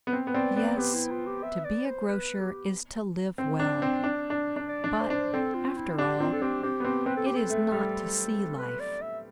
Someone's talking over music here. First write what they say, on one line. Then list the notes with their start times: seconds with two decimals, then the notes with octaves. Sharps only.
Yes, to be a grocer is to live well; but, after all, it is not to see life.
0.07 B3
0.13 C4
0.27 B3
0.34 C4 D5
0.56 B3 D5
0.78 B3 G4
0.94 E4
1.11 F4
1.27 G4
1.43 E5
1.65 D5
1.86 C5
2.08 B4
2.41 G4
3.38 C4
3.59 D4
3.82 C4
4.04 D4
4.30 D4
4.56 D4
4.68 D5
4.84 D4
5.01 C5
5.10 D4
5.33 C4 A4
5.55 F4
5.77 E4
5.98 D4 G4
6.20 C4 F4
6.33 A4
6.42 C4 G4
6.63 C4 G4
6.80 B3
6.84 C4 G4
7.06 C4 B4
7.17 A4
7.26 G4
7.36 A4
7.50 A3
7.72 G3
8.59 B4
8.80 D5
9.02 E5